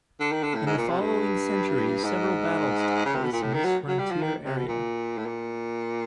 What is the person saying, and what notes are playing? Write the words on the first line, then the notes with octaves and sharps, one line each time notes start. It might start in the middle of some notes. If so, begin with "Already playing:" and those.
In the following centuries, several battles took place in this frontier area.
D3
D#3
D3
A2
G#2
A#2
C3
G2
G#2
C#3
C3
B2
A#2
A2
D#3
F#3
F#3
G3
F3
D#3
C3
B2
A#2
A2
A#2